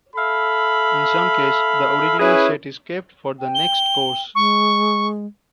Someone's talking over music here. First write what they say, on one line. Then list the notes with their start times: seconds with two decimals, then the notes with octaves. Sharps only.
In some case, the original set is kept for the next course.
0.15 A4 E5 F5 B5
2.19 C#4 E4 G#4 B4
3.40 G5
3.55 G7
4.35 G#3 C#6